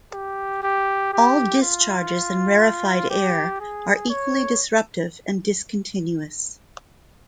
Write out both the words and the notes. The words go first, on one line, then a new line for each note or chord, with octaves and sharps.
All discharges in rarefied air are equally disruptive and discontinuous.
G4
G4
G4
F4
G4
G#4
C#5